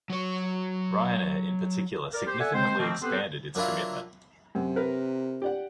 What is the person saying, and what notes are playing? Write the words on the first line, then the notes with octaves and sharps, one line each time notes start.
Ryanair in particular significantly expanded its commitment.
F#3 C#5
A#4 D5
G4 C5
A4 D5 E5 F#5 G#5
G#3 C4 C5
B2 D#3 F3 A3 A#3 C4
B3 C4 G4 A4 B4 C5
F#3 A#3 D4 E4 F4
F#2 C3
A#4 B4
G4 D5 F#5